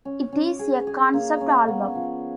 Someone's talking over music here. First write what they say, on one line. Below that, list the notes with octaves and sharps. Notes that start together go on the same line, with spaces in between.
It is a concept album.
C#4
C#4
G#4
G#4
A#3
C#4
B3
F3